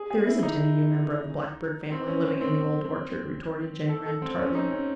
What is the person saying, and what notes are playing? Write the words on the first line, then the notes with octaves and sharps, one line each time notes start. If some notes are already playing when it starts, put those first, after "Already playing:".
"There isn't any new member of the Blackbird family living in the Old Orchard," retorted Jenny Wren tartly.
Already playing: G#4
G#4
E4
D#4
C4
C#4
C4
C4
A4
A4
C4
C#4
D#4
C#4